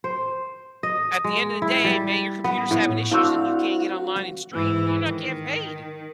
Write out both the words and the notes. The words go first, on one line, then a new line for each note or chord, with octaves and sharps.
At the end of the day, "Hey man, your computer's having issues, and you can't get online and stream, you're not getting paid."
C5
D#5
G#3
E4
G3
B3
A2
A3 C4 D4 E4 F#4 F5
G#2 E3
D#3